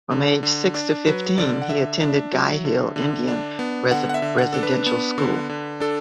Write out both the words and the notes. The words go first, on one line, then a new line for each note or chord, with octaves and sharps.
From age six to fifteen, he attended Guy Hill Indian Residential School.
D3
D3
D4
F#3 B4
D3 D5
F#5
D3 E5
D4
F#3
D3
D3
D4
B3
D3 F#5
F#5
E5
D3
F#5
D4 A4
B4
B3
D3
D3
D4 A4